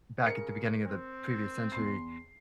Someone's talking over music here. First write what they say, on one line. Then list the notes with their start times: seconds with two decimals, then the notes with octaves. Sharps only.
back at the beginning of the previous century,
0.24 C#3 A#4 C#7
0.86 C4
1.72 E2 C6 C7